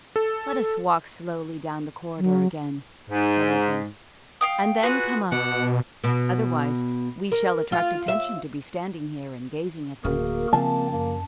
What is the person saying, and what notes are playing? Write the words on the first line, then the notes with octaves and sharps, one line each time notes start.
"Let us walk slowly down the corridor again," said Evelyn, "and then come up; otherwise we shall attract attention to be standing here and gazing at them."
A4
F#3
G#2
F5 G5 D#6
F4 F#4 G#4 B4
B2 D4 F#5
B2
A#4
F4
E5
D1 A#3 F#4 G#4 A#4
C#3 F3 C4 A5
F#2 A#3